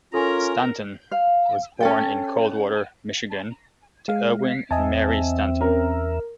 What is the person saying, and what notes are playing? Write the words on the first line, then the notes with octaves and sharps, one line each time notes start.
Stanton was born in Coldwater, Michigan to Erwin and Mary Stanton.
C#4 F4 A4 A#4 G#5 A#5
F5
C#4 A4 G5
G#3 F5
E2 C4 D#5 E5 G#5 A5
C#4 A#4